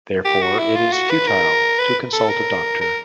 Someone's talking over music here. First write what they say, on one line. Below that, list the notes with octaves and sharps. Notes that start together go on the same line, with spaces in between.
Therefore it is futile to consult a doctor.
G4
F#4
E4
F4
F#4
B4
A#4
B4
A4
A#4
A#4